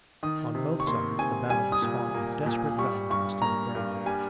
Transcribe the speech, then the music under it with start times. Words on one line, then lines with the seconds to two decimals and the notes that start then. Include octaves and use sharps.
On both sides the battle was fought with desperate valor and a steady bravery.
0.23 D#3 D#6
0.55 C3
0.80 C#6
0.87 A#3 C6
1.19 C3 G#5
1.50 G3 G#5
1.72 D#6
1.82 A#2
2.14 A#3
2.46 A#2
2.78 G3 C#6
3.10 G2 C#6
3.42 A#3 A#5
3.75 G2
4.05 G3 G#5